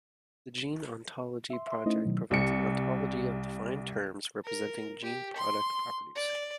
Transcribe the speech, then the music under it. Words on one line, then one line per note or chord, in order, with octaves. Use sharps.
The Gene Ontology project provides an ontology of defined terms representing gene product properties.
E5 C6
E5 C6
A3 C#4 D#4 E4 C5 D#5
B2 D#3 F#3
C2 C#7
A#4
G4
C6
D5